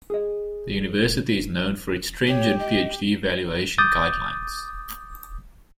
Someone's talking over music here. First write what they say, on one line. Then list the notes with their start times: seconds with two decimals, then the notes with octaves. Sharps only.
The university is known for its stringent Phd evaluation guidelines.
0.10 G#4 D#5
2.27 G4 C#5
2.59 D#5
3.78 D6 D#6 G6 A6